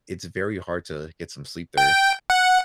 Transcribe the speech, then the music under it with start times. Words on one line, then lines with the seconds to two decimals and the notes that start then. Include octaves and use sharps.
it's very hard to get some sleep there.
1.77 G5
2.30 F#5